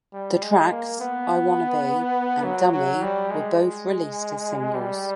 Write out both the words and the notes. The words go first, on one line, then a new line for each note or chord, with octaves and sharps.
The tracks "I Wanna Be" and "Dummy" were both released as singles.
G3
G#3
A#3
B3
F#3
F#3
G3
G#3
G3